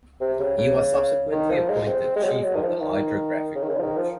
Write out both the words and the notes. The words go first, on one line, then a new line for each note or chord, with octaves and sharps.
He was subsequently appointed Chief of the Hydrographic Branch.
C3
C#3
C#3
D#3
F3
G#3
C4
G#3
F#3
G#3
F#3
D#3
F3
D#3
C#3
D#3
C#3
F3
D#3
F3